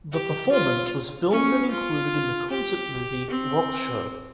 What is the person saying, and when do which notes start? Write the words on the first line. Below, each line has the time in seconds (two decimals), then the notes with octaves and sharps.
The performance was filmed and included in the concert movie Rockshow.
0.12 G4
0.52 F4
1.31 C#4
1.71 F4
2.50 G4
3.30 C4